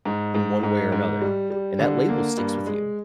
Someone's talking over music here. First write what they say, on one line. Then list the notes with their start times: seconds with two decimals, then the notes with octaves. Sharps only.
in one way or another, and that label sticks with you.
0.05 G#2
0.34 G#2
0.63 G#2
0.92 G#2
1.21 G3
1.50 G3
1.79 D3
2.09 A#3
2.38 G2
2.67 G#3